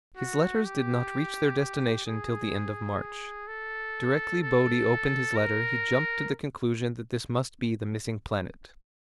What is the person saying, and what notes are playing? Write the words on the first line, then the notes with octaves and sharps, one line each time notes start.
His letters did not reach their destination till the end of March. Directly Bode opened his letter he jumped to the conclusion that this must be the missing planet.
F#4
G4
G4
G#4
A4
A4
A#4